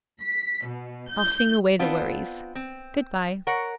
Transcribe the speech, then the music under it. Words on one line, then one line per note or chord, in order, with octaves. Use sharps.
I'll sing away the worries, Good-bye.'
B6
B2
G6
B3 C4 D4 F4
C4
A#4 C#5 F#5